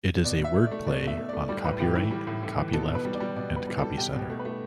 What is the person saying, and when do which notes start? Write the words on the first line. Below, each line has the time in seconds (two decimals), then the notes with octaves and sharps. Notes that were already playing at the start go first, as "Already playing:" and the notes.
It is a word play on copyright, copyleft and copy center.
0.24 B2 D5
0.40 B2 E5
0.56 A3
0.66 D5
0.71 A3
0.87 B2 D5
1.02 B2 E5
1.18 A3
1.29 D5
1.33 A3
1.48 G3 D5
1.64 A2 B4
1.80 A2 G4
1.95 E3 E4
2.11 G3
2.27 A2
2.43 A2
2.58 E3
2.73 B2 A4
2.89 B2
2.95 B4
3.05 G3
3.15 D5
3.20 G3
3.36 B2 D5
3.51 B2
3.56 B4
3.67 G3
3.78 A4
3.82 G3
3.98 B2 G4
4.14 B2
4.19 G4
4.30 A3
4.39 B4
4.45 A3